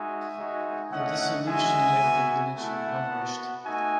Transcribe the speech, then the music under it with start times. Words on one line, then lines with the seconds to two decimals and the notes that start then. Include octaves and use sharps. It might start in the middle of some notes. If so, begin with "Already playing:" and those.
The dissolution left the village impoverished.
Already playing: G#3 D#4 F#4 E5 G#5
0.37 G#3 D#4 F#4
0.91 A3 C#4 E4 D#5 F#5
1.47 G#3 C#4 F#4 E5 G#5
2.01 B3 F#4
2.55 A3 E4 F#5 A5
3.11 B3 F#4
3.65 A3 D#4 F#4 E5 G#5